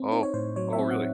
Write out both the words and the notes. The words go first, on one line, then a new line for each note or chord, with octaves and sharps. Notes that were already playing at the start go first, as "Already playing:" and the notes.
Oh, y oh, really?
Already playing: C4
D#4 C5
C#5
A2 C5
F#3 C#5
E5
C4
F#5